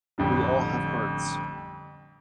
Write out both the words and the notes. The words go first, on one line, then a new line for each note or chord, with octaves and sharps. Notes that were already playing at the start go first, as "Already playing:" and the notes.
We all have hearts.
A1 F2 D3 G3